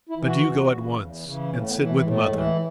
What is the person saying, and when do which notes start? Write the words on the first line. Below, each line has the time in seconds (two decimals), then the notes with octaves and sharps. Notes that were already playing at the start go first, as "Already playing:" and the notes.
But you go at once and sit with mother.
0.09 E4
0.18 E3
0.26 F#4
0.44 E2
0.71 C#3 E3
0.97 E2
1.24 C#3 E3
1.51 A2 C#4
1.68 B3
1.76 E3
1.86 A3
2.04 A2 G#3
2.17 A3
2.30 E3 G#3
2.43 A3